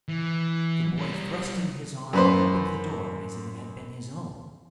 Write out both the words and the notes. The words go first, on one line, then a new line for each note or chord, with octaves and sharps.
The boy thrust in his arm and opened the door as if it had been his own.
E3
G3 A#4
F#2 B4 C5